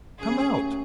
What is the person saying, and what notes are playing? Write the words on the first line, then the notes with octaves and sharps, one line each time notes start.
Come out!
D#2 D#3 F#3 A3 C#4 G#4